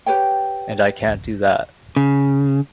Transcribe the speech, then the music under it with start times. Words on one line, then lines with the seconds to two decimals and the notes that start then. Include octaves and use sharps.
And I can't do that.
0.06 G4 B4 C#5 G5
1.96 C#3